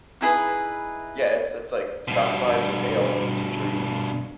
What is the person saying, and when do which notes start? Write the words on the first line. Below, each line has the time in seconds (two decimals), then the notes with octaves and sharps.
Yeah, it's it's like stop signs are nailed to trees,
0.21 D#4 E4 G#4 B4
2.08 G2 B2